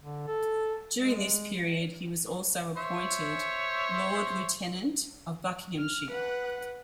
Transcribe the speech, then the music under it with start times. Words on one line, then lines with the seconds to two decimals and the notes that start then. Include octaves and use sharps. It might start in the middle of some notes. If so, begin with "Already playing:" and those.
During this period, he was also appointed Lord Lieutenant of Buckinghamshire.
0.01 D3
0.28 A4
0.96 G#3
2.77 C5 C#5 E5
5.80 F6
6.11 B4 F#5